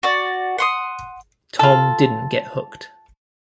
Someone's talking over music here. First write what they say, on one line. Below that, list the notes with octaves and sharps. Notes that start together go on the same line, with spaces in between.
Tom didn't get hooked.
F#4 D5
F#5 C6 D#6
F4 A4